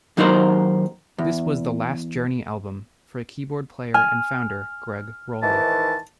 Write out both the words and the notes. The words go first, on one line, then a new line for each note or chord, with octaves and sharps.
This was the last Journey album for keyboard player and founder Gregg Rolie.
D#2 F#3 D#4 F#4 A#4 C5
E2
G#5 F6
G#2 D#3 E3 A5